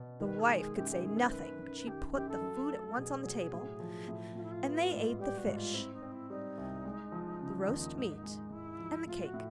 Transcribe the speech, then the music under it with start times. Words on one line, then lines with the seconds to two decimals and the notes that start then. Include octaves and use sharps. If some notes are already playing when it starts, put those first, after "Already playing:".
The wife could say nothing, but she put the food at once on the table, and they ate the fish, the roast meat, and the cakes.
Already playing: B2
0.20 D#3 B4
0.39 G#4
0.49 G#3
0.58 G#4
0.76 F#2 G4
0.90 G4
1.03 D#3 G#4
1.17 C5
1.31 F#2 B4
1.59 F#2
1.86 D#3 G4
2.14 F#2 G4
2.28 A4
2.41 F#3
2.69 A3
2.97 B2 G#4
3.25 F#3
3.53 A2
3.80 F3
4.08 A2
4.35 A2 F4
4.43 E4
4.51 F4
4.63 B3
4.91 G#2
5.19 G3 G4
5.37 F#4
5.47 G#2
5.56 F4
5.74 C4 E4
5.93 D#4
6.02 C4
6.11 E4
6.29 G3 D#4
6.58 C2
6.85 G#3
7.12 F3
7.41 C#3
7.68 D#2
7.96 G#2
8.24 G#3
8.51 G#2 E4
8.79 F3
9.07 A2 F4
9.25 F#4
9.34 A2